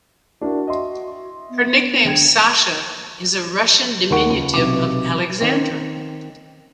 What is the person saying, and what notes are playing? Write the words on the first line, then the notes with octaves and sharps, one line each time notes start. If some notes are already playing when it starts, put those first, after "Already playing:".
Her nickname "Sasha" is a Russian diminutive of "Alexandra".
D4 E4 F#4 A#4
D#5 E5 C6
B3
D3 G5 G#6
D#2 D#3 A#3 F#5 C#6 D7
C#2
B1 C3 D6
D#3 C4